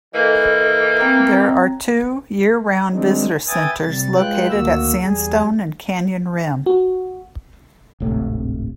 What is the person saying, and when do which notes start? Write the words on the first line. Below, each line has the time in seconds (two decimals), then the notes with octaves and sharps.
There are two year-round visitor centers located at Sandstone and Canyon Rim.
0.13 E3 A#3 A4 D#5
0.99 C4 G5 A#5
2.91 D#3 F#3 G#3 C4 D4 D#4
3.47 B4 E5 G5 G#5 D#6 A6
3.81 C3 G3 A6
4.15 G#3 F4 B4 G5 F#6
4.49 D2 D#3 A#3 F#4 E6
5.01 E2 G3 G#4
6.66 F#4
8.00 D1 G#1 A2 C3